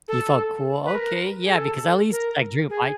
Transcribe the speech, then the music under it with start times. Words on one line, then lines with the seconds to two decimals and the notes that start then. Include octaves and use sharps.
You felt cool? Okay, yeah, because at least I dreamed, I
0.08 A4
0.85 B4
0.95 A#4
1.44 G#4
1.52 A4
2.12 A#4
2.70 G#4